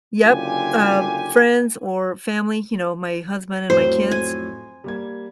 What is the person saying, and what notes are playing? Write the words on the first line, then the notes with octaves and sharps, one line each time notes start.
Yep. Um, friends or family, you know, my husband and my kids
F#1 D3 F4 G4 G#5
F2 A2 F#3 C5
G#5
G3 A#3 G#6